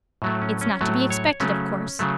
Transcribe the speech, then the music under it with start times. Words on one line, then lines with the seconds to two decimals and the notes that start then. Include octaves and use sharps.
It's not to be expected, of course.
0.22 A2 F#3 A3
0.42 C#4
0.61 C#4
0.81 A2 F#3 A3
1.10 C#5
1.40 C#3 F#3 A3 C#4
1.99 C#3 F#3 A3